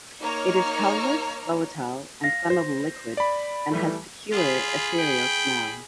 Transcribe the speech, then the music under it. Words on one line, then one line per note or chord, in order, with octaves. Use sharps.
It is colorless, volatile, and flammable liquid and has peculiar ethereal smell.
A#3 D#4 C#5 A#5 F6
F5 A#6
C5
D5 B5
E3 G3 A3
F4 G#4 B5
G5